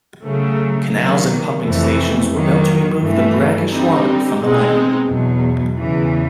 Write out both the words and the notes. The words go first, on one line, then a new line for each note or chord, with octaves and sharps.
Canals and pumping stations were built to remove the brackish water from the land.
C#3 F#3 A3
D#3 F#3 A#3
F2 C3 E3 A3
D#3 F#3 A#3
G2 E3 A3
D3 G3 C4 D#4
B2 G#3 C4 D#4
E2 B2 F#3
E2 C#3 E3